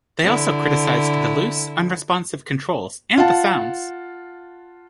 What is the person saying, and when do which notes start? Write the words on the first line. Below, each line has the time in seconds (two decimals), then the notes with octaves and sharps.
They also criticized the loose, unresponsive controls and the sounds.
0.23 D3 E4
3.17 F4 F5 F#5 A5